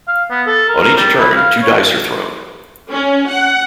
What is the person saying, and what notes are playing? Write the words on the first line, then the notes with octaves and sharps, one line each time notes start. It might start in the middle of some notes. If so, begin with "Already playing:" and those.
On each turn two dice are thrown.
F5
B3
A4
A#4
A#4
G3
E4
F5
C#5
C#4
F#5